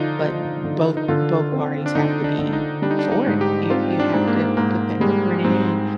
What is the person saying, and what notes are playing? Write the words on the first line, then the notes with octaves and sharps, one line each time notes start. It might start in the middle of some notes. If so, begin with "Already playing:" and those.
but both both parties have to be for it. You you have to put that effort in,
Already playing: D3 F3 D4 D#4 F4
F3
D3
D#4
D3 F4
C4
D4
D3 D#4
D4
D3
D#4
G3 D4
D#4
D4
D#4
G#2
G4
C4 F4
D4
G#2
A#3
G#2 A#3
G3 G#3
G#2 C4